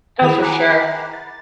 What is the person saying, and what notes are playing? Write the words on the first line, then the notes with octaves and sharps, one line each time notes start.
Oh, for sure,
D#3 E4 G#4 B5 F7
F#5 G#5 A#5 B5 D6 F#6
A6